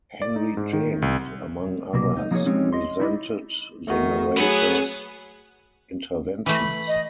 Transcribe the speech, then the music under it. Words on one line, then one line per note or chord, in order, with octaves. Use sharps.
Henry James, among others, resented the narrator's interventions.
D5
D#4
G#2
D#3
C2
C2 B2 F#3 A#3
D#4
F3 A#3 D#4 F4 G#4 C#5
F3 G#3 C4 C#4 D#4 G4
D#5 C6
D#4 E4 D5 D#5
D#3 A3 F#4
F#3 B3 G#4 B4 F#5
E3 A3 B5
D#5